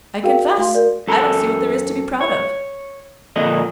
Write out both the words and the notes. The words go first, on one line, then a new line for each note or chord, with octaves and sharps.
'I confess, I don't see what there is to be proud of.
F#4 G#4 A#4 F5 G5
A3 F#4 F5 C6
A#4 D5
F#2 A4 A#5
C#5
A#2 D3 F3 D#5